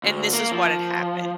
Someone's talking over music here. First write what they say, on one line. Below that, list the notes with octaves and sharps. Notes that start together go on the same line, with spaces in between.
and this is what had happened,
D2
A#3
F3